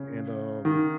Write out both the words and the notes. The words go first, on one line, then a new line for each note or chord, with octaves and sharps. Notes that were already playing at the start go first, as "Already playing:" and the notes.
and, um,
Already playing: C#3
D#3